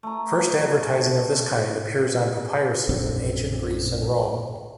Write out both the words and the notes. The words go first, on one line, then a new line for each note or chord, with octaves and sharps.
First advertising of this kind appears on papyruses in Ancient Greece and Rome.
A3 A#5
A#1 F#2 D3 C4